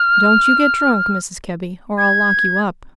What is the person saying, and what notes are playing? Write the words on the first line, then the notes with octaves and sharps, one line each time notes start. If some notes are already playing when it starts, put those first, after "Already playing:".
"Don't you get drunk, Mrs. Kebby, or I'll lock you up."
Already playing: F6
G#6